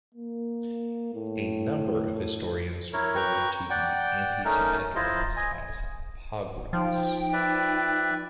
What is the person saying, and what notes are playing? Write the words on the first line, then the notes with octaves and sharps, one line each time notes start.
A number of historians refer to the antisemitic events as "pogroms".
A#3
A2
E4 A#4 C#5
B4 G5 A#5 C#6
D5 F#5 G5
A3 C#4 D#4 A#4
E4 F4 C5 D#5
D#5 G#5
F3 D#4 G5
B4 D5 E5